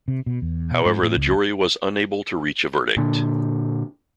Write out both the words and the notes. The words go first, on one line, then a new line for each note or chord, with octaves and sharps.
However, the jury was unable to reach a verdict.
C3
B2
E2
B2
G#2
A2
C#2
A#2 D3